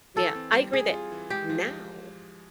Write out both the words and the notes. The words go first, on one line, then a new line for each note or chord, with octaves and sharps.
Yeah, I agree that now,
E3 A4
C4
G3
G3 G#4
F4
E3
G#3 G4
F3
F3